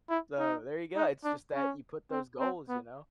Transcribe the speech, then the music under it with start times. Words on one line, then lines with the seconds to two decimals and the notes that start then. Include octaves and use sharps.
So there you go. It's just that you put those goals, you know.
0.10 E4
0.38 D#4
0.96 D#4
1.24 D4
1.54 C#4
2.11 C4
2.40 C4
2.69 B3